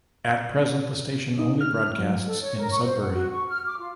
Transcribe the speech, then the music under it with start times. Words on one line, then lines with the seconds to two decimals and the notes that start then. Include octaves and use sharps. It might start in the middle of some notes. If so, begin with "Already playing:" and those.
At present, the station only broadcasts in Sudbury.
1.39 D#4
1.61 F6
1.98 F#3
2.26 A4
2.42 C#5
2.58 A#4
2.71 C#6
2.84 C5
3.00 F#5
3.13 F#4
3.30 C#6
3.49 F6
3.66 D6
3.78 F4